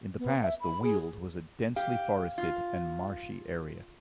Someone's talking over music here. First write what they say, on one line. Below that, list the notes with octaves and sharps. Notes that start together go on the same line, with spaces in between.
In the past the Weald was a densely forested and marshy area.
B3
E5
B5
G#4
G4 F5
F4